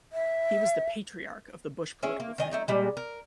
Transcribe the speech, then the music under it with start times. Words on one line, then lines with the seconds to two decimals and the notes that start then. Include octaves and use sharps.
He was the patriarch of the Bush political family.
0.12 E5
2.03 C#4 E4 G#4
2.20 A#3
2.38 D#3 D#5 G#5
2.51 A3 D#4 E4
2.68 A#2 G3 G#3
2.97 A#4